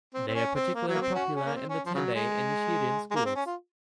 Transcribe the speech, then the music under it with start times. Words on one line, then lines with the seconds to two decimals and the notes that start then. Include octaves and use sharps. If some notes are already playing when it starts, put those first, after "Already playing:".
They are particularly popular in the Tendai and Nichiren schools.
0.14 C4
0.28 C4
0.34 C#4
0.55 C4
0.75 A#3
0.88 F#3
0.95 A#3
1.02 C4
1.15 C#4 F#4
1.35 C#4
1.46 A#3
1.55 C4
1.69 C#4
1.86 F3
1.95 C#3 F#3
2.15 G#3
3.11 G#3
3.16 A#3
3.26 C4
3.35 C#4
3.46 F4